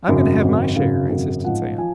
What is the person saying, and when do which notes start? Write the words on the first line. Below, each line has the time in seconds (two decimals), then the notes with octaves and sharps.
"I'm going to have my share!" insisted Sam.
0.08 G#1 F#2 C#3 F#3
0.41 G#1 F#2 C#3 F#3
0.76 G#1 F#2 C#3 F#3 F5
1.10 G#1 F#2 C#3 F#3
1.44 A1 G#2 F3 F#5
1.78 F3 G#5